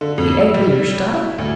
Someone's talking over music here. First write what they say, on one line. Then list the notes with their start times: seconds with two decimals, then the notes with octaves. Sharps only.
The egg-beater stopped.
0.01 D3
0.18 F2
0.41 E6
0.54 G3
1.14 E4
1.38 D2